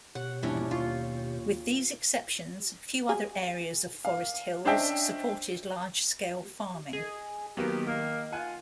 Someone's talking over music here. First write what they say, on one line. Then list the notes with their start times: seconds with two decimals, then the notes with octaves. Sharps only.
With these exceptions, few other areas of Forest Hills supported large-scale farming.
0.15 B2 G4 C#5 F#5
0.43 A#1 E2 G2 C#4 D4 E4
0.71 D#2 F4 C#6
3.09 G#4
4.05 F5
4.65 C#4 D4 C5 D#5 E5 G5
6.93 G#4 D#5
7.57 D#3 F#3 A#3 B3 G4
7.87 A#3 D#5
8.33 F4 F#5 G#5